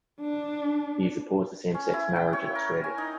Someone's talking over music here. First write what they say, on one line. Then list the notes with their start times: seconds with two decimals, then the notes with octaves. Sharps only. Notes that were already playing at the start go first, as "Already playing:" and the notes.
He is opposed to same-sex marriage in Australia.
0.21 D4
1.74 C#4
1.93 E4
2.16 G5
2.33 C#5
2.55 A#4
2.84 G#5
2.98 D#4